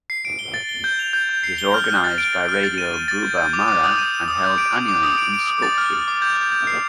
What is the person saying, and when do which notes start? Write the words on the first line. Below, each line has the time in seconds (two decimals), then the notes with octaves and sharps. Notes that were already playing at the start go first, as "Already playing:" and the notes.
It is organized by Radio Buba Mara and held annually in Skopje.
0.10 C7
0.25 D7
0.39 G7
0.54 A6
0.69 G7
0.84 G6
0.99 F7
1.13 G6
1.29 G6
1.43 C7
1.58 G7
1.74 F6
1.89 F6
2.04 A6
2.18 D7
2.33 A6
2.49 F6
2.63 A6
2.78 D#7
2.94 D#7
3.08 A6
3.23 G6
3.38 G6
3.53 D6
3.68 D6
3.83 D#6
3.98 D#7
4.14 D#7
4.28 D#6
4.43 G6
4.58 D7
4.73 D6
4.88 D6
5.03 D#6
5.18 D7
5.33 D7
5.47 D#6
5.62 A6
5.78 F6
5.93 F6
6.08 D6
6.22 G6
6.37 G6
6.52 G6
6.67 C7